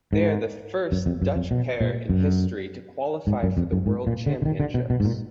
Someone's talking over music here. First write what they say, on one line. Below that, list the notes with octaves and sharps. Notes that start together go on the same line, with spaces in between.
They are the first Dutch pair in history to qualify for the World Championships.
G#2
F#2
F2
F#2
F2
B2
A#2
F#2
G#2
F#2
F2
F#2
G#2
A#2
D3
D3
D#3
D3
B2
B2
G#2
A#2